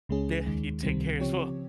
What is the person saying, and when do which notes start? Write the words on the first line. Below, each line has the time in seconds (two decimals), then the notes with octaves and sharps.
Yeah, you take care as well.
0.09 C#2 C#3 G#3 C#4 G#4
0.46 D#2 D#3 G#3
0.83 C#2 C3 D#3 G3 C4
1.19 C#3 F3 C4 G4 C#5